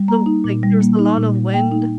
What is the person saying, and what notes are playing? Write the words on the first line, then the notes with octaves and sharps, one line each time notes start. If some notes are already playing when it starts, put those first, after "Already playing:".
so, like, there was a lot of wind.
Already playing: G3
A#3 A#5
D#4
A#2
G3
A#3
D#4
A#2
G3
A#3 G5
D#4